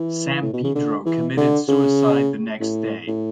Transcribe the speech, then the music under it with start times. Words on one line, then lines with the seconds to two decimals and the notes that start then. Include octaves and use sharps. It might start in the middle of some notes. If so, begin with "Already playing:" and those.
Sampedro committed suicide the next day.
Already playing: E3
0.42 A2
0.53 B2
0.64 C#3
0.75 D3
1.06 E3
1.37 D3
1.68 C#3
2.61 A2
3.07 A2